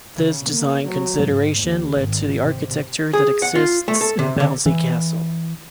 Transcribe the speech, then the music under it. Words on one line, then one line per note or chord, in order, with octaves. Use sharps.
This design consideration led to the architecture that exists in Bouncy Castle.
C#3
A#3
F#3
G#2
D#2
G#1
C3
G#4
F#5
F4
A3
A4
C3
D3
E3